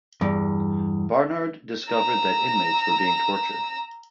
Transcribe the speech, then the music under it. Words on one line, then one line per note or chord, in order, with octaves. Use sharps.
Barnard discovered that inmates were being tortured.
E2 G2
A#5 E6